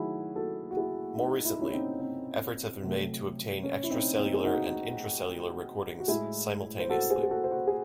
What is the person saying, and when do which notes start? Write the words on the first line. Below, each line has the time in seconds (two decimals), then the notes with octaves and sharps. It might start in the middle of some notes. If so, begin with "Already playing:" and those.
More recently, efforts have been made to obtain extracellular and intracellular recordings simultaneously.
Already playing: D#3 F#3 A3 E4 F#4 G#4
0.36 F#4 A4
0.71 F#4
0.77 E4 G#4
1.17 D#4 F#4
1.45 E4
1.54 D#4
1.61 C#4 E4
1.72 C4 D#4
2.00 C4
2.82 C3 F#3 A3
3.63 C#4
3.83 E4
3.90 C4 D#4
4.17 C4 D#4
4.34 G#4
4.45 D#4 F#4
6.00 F#4
6.08 A2 G#3 E4 G#4
6.80 C5
6.90 F#4 A4
7.10 G#4 C5
7.23 G#4
7.30 F#4 A4
7.44 C5
7.51 F#4 A4
7.67 G#4